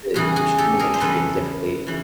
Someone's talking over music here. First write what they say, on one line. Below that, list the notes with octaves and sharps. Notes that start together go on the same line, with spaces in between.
the streaming industry has definitely,
E2 C#3 E3 G3 F#4 G#4
F#4 G#4
G4 A4
G#4 A#4
C5
E2 C#3 E3 G3 A4 B4
C#3 E3